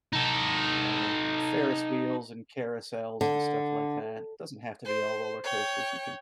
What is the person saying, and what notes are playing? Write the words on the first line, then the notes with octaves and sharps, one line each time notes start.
you know, the Ferris wheels and carousels and stuff like that, doesn't have to be all roller coasters, you can
D#4 A4
D3
C5
C#5 G5